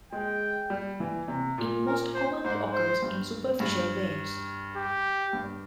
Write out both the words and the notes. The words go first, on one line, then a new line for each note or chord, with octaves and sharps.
It most commonly occurs in superficial veins.
G#3 G5
G3
E3
C3
A#2
A#4
C5
G#2 C5
C5
G2
G2
G4
G2